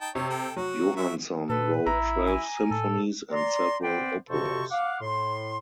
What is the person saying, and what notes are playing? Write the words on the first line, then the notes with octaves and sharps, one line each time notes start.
Johanson wrote twelve symphonies and several operas.
D#4 G5 A5
C3 C#5
A4 G5
F#3 F#4
F#4 E5
A#2 A4 B4
A1 E4 A#5
G#5
A2 A4
D5 A#5 C6
B3 C4 B4 C5 D5 G5
F2 C3 F#4 A4 C5 C#6
F5 F#5 D6
A2 C6